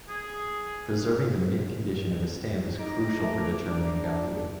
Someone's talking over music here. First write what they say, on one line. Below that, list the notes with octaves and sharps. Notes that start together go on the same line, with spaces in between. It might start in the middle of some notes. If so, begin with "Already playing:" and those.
Preserving the mint condition of a stamp is crucial for determining value.
G#4
D#4 A#5 D6
A3
D4